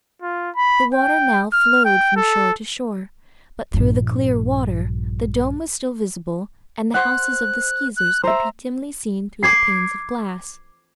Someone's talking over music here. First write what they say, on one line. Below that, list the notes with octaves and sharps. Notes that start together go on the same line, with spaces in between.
The water now flowed from shore to shore, but through the clear water the dome was still visible and the houses of the Skeezers could be dimly seen through the panes of glass.
F4
B5
G5
F6
G5
A4
A#1 G2
C5 F#5 F#6
F#6
C5 E5 A#5
D6 G#6 C7